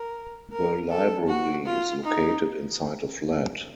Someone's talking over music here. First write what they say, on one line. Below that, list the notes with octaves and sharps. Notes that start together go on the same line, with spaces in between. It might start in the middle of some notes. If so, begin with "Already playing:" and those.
The library is located inside a flat.
Already playing: A#4
A#4
A4
F#4
F4
D#4